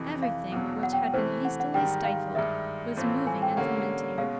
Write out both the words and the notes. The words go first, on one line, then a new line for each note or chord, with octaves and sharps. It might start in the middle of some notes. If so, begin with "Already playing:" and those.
Everything which had been hastily stifled was moving and fermenting.
Already playing: F2 C3 E3
F5
E2 B2 F#3
F#5
G5
C3 E3 A3 C5
F#5
F#5
G#2 D#3 G3 G5
F5
G2 D#3 G#3 E5
A2 E3 A3 C4 F4
G#5
G5
D3 G3 A#3 C#4 F#5
B2 G#3 C#4 F5